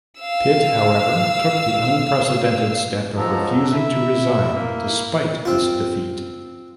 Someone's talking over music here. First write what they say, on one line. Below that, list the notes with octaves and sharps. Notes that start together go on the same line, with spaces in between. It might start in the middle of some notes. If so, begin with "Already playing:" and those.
Pitt, however, took the unprecedented step of refusing to resign, despite this defeat.
F5 E6
G#2 F3 F#3 A4 A5 A#5
E4 E5
A#3
C4 F4